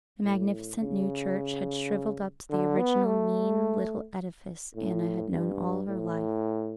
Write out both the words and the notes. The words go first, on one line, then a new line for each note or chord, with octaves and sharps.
The magnificent new church had shrivelled up to the original mean little edifice Anna had known all her life.
A2
C#3
D3
B3
A3
A2
G2
A2